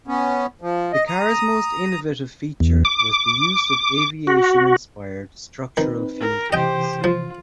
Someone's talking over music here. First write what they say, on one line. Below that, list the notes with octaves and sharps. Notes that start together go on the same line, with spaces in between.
The car's most innovative feature was the use of aviation-inspired structural fuel tanks.
B3 C#4
F3
D#5
A#5 D#6
E2
D6
F#4
D#3 C4 D#4 B4
A#4
C3 E3 G4 C5 D#5 G5
F3 F4